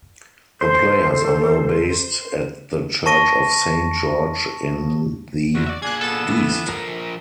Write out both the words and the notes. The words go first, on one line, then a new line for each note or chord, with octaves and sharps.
The Players are now based at the church of Saint George in the East.
A4 C5
A5 C#6 A#6 D#7
D2 F#4
D5 E5
A#2 D4 G#4 F#6 G#6
B3 A4 E7
E3
F3 A#4